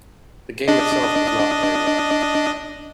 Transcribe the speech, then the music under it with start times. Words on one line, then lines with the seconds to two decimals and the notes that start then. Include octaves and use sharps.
The game itself does not play well.
0.68 D4 D#5